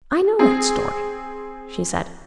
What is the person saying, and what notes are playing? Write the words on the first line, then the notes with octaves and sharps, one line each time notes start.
"I know that story," she said.
C4 G#4